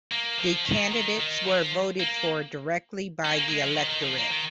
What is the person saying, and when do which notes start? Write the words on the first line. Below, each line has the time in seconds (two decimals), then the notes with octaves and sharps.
The candidates were voted for directly by the electorate.
0.12 A#3
0.39 F3
0.66 D#3
0.92 D#3
1.20 D#3
1.46 F3
2.00 A#3
3.25 C#4
3.36 A#3
3.49 G#3
3.63 F3
3.76 D#3
3.89 D#3
4.03 F3
4.17 A#3
4.30 D#3